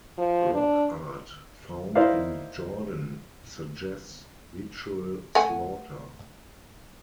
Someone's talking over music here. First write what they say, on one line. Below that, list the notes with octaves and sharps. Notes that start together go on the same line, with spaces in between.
Rock art found in Jordan suggests ritual slaughter.
F3
D4
D#4 E4 A#4 C5 D5 F5
A3 F#5 G#5